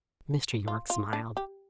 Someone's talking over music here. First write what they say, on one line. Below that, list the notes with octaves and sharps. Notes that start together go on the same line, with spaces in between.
Mr. Yorke smiled.
F4
F4
D4
G4